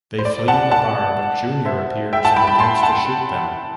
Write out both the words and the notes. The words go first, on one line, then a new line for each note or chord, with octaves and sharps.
They flee the bar, but Junior appears and attempts to shoot them.
C5
D5
F#5 A5
F#5 A5
C5 E5
E5 G5
F#5 A5
G5 B5
G5 B5
A5 C6
F#5 A5